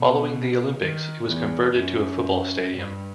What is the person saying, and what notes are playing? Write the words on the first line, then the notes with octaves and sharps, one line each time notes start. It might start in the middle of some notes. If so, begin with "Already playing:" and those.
Following the olympics it was converted to a football stadium.
Already playing: B2
D#3
E2
F#2
G2